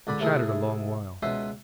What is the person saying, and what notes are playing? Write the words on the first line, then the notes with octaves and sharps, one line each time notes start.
We chattered a long while.
C#2 D3 D5 B5
C3 A3 E4 G#4
C#2 B2 C#4 C5 E5 C6